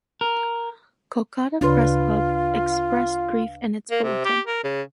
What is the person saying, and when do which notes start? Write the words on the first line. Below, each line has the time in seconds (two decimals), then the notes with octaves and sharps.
Kolkata Press Club expressed grief in its bulletin.
0.21 A#4
1.61 D2 C#3 D4 F4 B4 F5 C6
3.91 A#3
4.03 C3
4.25 G4
4.47 A#4
4.64 C#3